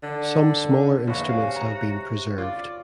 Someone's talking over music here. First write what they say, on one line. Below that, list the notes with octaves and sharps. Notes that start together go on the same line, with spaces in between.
Some smaller instruments have been preserved.
D3
A#1 E2 F#4 C#5
C3 F5 G#5
A#5
F4 D5